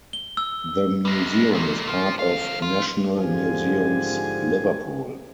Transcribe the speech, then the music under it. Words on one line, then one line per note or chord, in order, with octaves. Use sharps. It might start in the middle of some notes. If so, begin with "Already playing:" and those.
The museum is part of National Museums Liverpool.
G7
E6
G3 G#3
C#2 A#2
F3
D2 F5
F4
G#2 D3 F3 G4 G#4 G#5